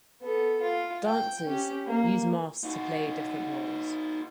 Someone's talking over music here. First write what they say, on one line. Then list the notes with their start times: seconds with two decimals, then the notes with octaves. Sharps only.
Dancers use masks to play different roles.
0.22 B3 A4
0.61 F4
1.05 G5
1.45 C#4 G4
1.87 A#3
2.64 D#4 F#4